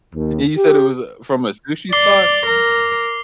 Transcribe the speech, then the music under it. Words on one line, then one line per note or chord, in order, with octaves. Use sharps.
And you said it was, uh, from a sushi spot?
D#2
G4
D5 D6 C7 G7
A#4